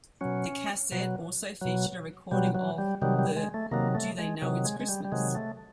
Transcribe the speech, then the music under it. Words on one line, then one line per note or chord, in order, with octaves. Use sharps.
The cassette also featured a recording of the Do They Know It's Christmas?
B2 F#3 C#4
B2 F#3
B2 F#3
B2 F#3 G3
F#3
G3
C3 D#3 F#3 G3
G3
G#3
A3
C3 D#3 F#3 A#3
A3
G#3
C3 D#3 F#3
G#3
G#3
G3
G3
C3 D#3 F#3 G#3
A3